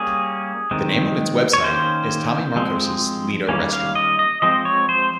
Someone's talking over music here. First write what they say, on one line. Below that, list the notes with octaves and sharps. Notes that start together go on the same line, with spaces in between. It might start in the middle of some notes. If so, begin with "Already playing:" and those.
The name on its website is "Tommy Marcos' Ledo Restaurant".
Already playing: G3 A#3 C#4 G#4
D#3 G#3 C4
C#5
D#3 A#3 C#4 C5
F3 G#3 C4
D#3 G3 A#3 C#4
F5
D#5
D#5
F3 G#3 C4 D#5
C#5
C5